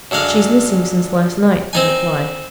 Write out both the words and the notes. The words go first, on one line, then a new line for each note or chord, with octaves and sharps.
"She's missing since last night," I replied.
F#2 D3 G#3 F5
C4 D#4 G#5